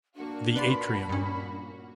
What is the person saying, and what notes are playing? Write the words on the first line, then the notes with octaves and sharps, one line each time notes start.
The Atrium.
A#2 A#3 D4 F#4
B4 D5 B5 C6
G2 C#4